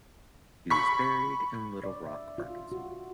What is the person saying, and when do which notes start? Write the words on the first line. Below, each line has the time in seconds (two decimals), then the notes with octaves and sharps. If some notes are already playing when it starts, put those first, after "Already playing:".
He was buried in Little Rock, Arkansas.
0.70 B5 C#6 B6
1.84 D5
2.06 E5
2.38 F4
2.72 F#4